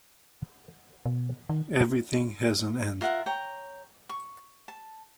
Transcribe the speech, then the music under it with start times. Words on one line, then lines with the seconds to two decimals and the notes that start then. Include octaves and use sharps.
Everything has an end.
1.06 B2
1.49 D#3
3.01 F4 A#4 E5 F#5
3.26 C#5 G5 A#5
4.09 C#6
4.68 A5